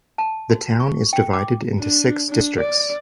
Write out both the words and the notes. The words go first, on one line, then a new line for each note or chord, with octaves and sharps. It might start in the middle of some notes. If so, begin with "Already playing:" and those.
The town is divided into six districts.
A5
F#4
C#6
G5
D6
D4
D4
D5